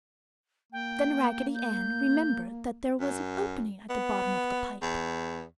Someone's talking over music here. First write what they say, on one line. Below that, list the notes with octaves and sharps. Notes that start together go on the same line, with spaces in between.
Then Raggedy Ann remembered that there was an opening at the bottom of the pipe.
A#3 G5
G6
F#2
B3
E2